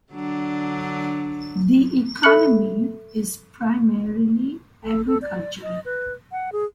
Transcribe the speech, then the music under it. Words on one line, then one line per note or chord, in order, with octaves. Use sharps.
The economy is primarily agricultural.
D3 F#3 D4
A4 E5 B5 F#6 C#7 F#7
A4
A4
D5
D#5
B4
F#5
G#4